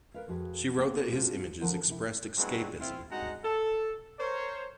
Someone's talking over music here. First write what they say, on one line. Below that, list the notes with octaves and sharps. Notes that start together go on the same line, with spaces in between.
She wrote that his images expressed escapism.
A#4 B4 F5
F2 F#4 G#4 B4
A#3 B3 G4
G#3 C4 D4 F4 F#4 G#4
D3 F3 A4 A#4 C5 F#5
C3 E4
G2 F#3 G#3 B3 C4 E4
C4 E4 F4
G2 G#3 D#4 F#4 F#5 A#5
A4
A#4 C5 C#5